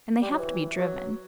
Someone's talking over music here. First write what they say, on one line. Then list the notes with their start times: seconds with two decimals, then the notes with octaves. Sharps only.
And they have to be driven.
0.21 G3
0.30 F#3
0.39 E3
0.79 F#3